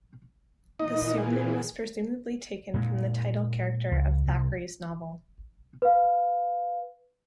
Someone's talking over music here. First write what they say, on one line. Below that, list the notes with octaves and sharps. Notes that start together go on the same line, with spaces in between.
The pseudonym was presumably taken from the title character of Thackeray's novel.
A#2 E3 D#4 D#5
G#4
A#2 G#3
C#2
C2
B4 F5